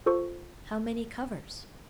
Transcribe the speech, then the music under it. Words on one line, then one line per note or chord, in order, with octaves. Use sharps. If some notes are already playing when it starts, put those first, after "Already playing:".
"How many covers?"
F4 A4 C5 C#6